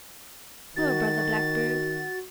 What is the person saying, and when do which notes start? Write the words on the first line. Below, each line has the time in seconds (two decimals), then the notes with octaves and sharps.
Poor Brother Blackbird!
0.76 D#3 F#4 A6